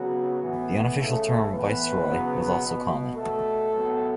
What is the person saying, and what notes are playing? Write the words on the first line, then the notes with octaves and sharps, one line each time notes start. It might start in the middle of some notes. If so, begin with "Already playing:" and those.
The unofficial term Viceroy was also common.
Already playing: C#3 F#3 B3 F#4
A2 E3 B3
C#3 A3 A4
A2 E3 B3 B4
C#3 F#3 B3
B2 B3
B2 A3 A4
A2 F#3 B3